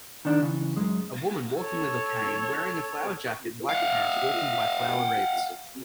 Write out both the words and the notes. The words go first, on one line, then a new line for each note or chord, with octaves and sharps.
A woman walking with a cane wearing a flower jacket and black pants walking by flower wreaths.
D#3 D4
C#3 E3
F#2 G#3
A4 C#5
F5 F#5